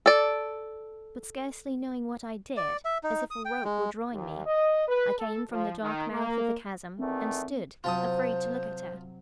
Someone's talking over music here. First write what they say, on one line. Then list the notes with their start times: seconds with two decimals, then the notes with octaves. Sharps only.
But scarcely knowing what I did, as if a rope were drawing me, I came from the dark mouth of the chasm; and stood, afraid to look at her.
0.06 A4 D5
2.57 D5
2.85 E5
3.04 D#4
3.31 D#6
3.45 G5
3.65 G#3
4.12 D#2
4.46 D#5
4.88 B4
5.18 A4
5.51 F3
5.82 D#3
6.12 A#3
6.99 E2 D#3 A3 C4
7.84 C3 F#3 F4 C5 A5 D#6